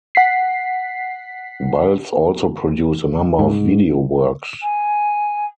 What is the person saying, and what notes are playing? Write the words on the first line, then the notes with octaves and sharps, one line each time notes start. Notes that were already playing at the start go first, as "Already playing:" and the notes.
Baltz also produced a number of video works.
F#5 B6 C7
G#2
G#5